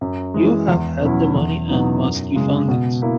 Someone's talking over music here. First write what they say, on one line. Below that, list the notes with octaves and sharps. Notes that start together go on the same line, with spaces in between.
You have had the money and must refund it.
F#2
E3 G#3
E2
B2 F#3 C#4 E4
E2
B2 F#3 B3 D#4
F#2
C#3 G#3
B2
A#3 E4